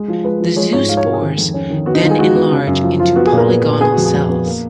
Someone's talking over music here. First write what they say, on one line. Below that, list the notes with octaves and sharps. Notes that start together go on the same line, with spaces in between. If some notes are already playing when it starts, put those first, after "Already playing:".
The zoospores then enlarge into polygonal cells.
Already playing: G#3
F3
G#3 B4
F3
G#3 C#5
G#2 C#5
G#3 F5
C#5
G#3 A#4
G#4
D#3
F2
C#4
D#3
B3 F#4
D#4
D#3 F4
G#4
G#3 F#4
B3
C#3
F#2
F3
F3 F4
B3 F#4
G#4
A#2
A#4
B3
A#2
B3 G#4
F2 F#4
G#4
F2
B3
A#3